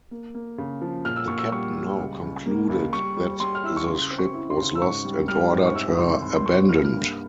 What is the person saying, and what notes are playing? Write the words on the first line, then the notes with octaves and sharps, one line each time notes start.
The captain now concluded that the ship was lost and ordered her abandoned.
A#3
A#3
C#3
F3
A#2 F6
E6
A#2 C#6
E6
G3 C#6
G3
C#2
C#2
A#3
C#2
G3 C#6
G3
G3 C6
F6
E4 E6
C#6
C#3 C6
C4
C#6
E4
C6
C#3
E6
G#2 C#6
G3
G3 F6
G#2
C#6
C3 E6
C2 C6
C2 C6
C6
C2 C#6
A#3 F6
F6
G2